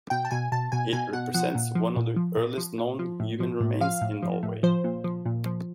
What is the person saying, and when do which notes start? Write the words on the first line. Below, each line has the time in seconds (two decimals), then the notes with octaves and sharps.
It represents one of the earliest known human remains in Norway.
0.10 B2 G5
0.25 A5
0.31 B2 G#5
0.52 B2 A5
0.72 B2 G#5
0.93 B2 G#5
1.13 B2 F#5
1.34 F3 F#5
1.55 A#2
1.75 F3
1.96 A#2
2.16 F3
2.37 A#2
2.58 F3
2.78 A#2
2.99 F3
3.20 A2
3.40 F3
3.61 A2
3.81 F3 F5
4.01 A2
4.23 F3
4.43 A2
4.63 F3 C5
4.84 A#2
5.04 F3
5.26 A#2
5.46 F3